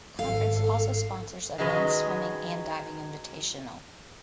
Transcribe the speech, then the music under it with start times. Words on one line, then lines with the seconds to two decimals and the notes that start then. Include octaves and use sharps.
The conference also sponsors a men's swimming and diving invitational.
0.19 G#1 A4 F5
1.58 D#3 F#3 G#3 C#4 B4 D#5